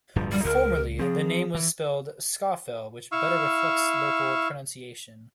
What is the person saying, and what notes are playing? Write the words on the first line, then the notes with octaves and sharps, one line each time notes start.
Formerly the name was spelled "Scawfell", which better reflects local pronunciation.
D1 G2 F3
G3
C#2 A#4
F3 C4 G#4
E3
E4 F5 C#6 E6